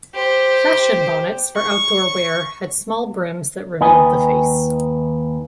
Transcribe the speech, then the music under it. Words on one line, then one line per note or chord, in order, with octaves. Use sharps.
Fashion Bonnets for outdoor wear had small brims that revealed the face.
G4 C5
C#6
D#2 D#3 B4 D#5 G#5